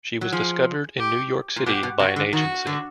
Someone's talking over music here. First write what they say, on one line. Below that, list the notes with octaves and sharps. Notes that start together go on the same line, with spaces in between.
She was discovered in New York City by an agency.
F#3
F3 G#4
G4
A#2
B2 G4
B2
C3 F#4
D3
D#3 F#4
D3